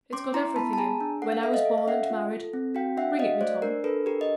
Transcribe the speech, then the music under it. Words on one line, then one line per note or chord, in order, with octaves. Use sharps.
"It's got everything in,--when I was born and married; bring it me, Tom."
C#4 C6 D6
E4 A#5 C6
B3 A5 B5
A5
G#4 G#5 A#5
D4
A4 F#5
F5
A4 E5
D#5 F5
A4
F5
C#4 E5 F#5
F4
A4
C4
F#4 F5 G5
D4 E5 F#5
F#4 D#5 F5
A3 C5 D5
D4 A#4
D4 A4 B4
G4 A#4
D#5